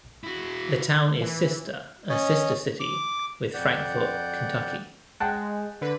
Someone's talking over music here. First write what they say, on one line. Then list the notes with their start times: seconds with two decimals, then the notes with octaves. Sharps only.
The town is sister a sister city with Frankfort, Kentucky.
0.24 E4 F#4
1.20 E3
2.10 C#4 C#5 D#5
2.80 D6
3.54 F2 D5 F#5 G6
5.20 G#3 F#5 G5 A5
5.81 D3 B4